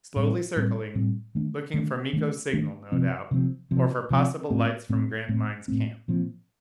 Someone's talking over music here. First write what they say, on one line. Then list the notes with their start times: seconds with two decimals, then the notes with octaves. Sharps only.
Slowly circling, looking for Miko's signal, no doubt, or for possible lights from Grantline's camp.
0.16 A2 G3 C4
0.56 A2 G3 C4
0.95 A2 G3 C4
1.35 D#3 A3 D4
1.74 D#3 A3 D4
2.13 D#3 A3 D4
2.53 D#3 A3 D4
2.92 C3 F3 C4
3.31 C3 F3 C4
3.71 C3 F3 C4
4.10 C3 F3 C4
4.50 A2 A3 C4
4.89 A2 A3 C4
5.29 A2 A3 C4
5.68 A2 A3 C4
6.08 A#2 F3 C4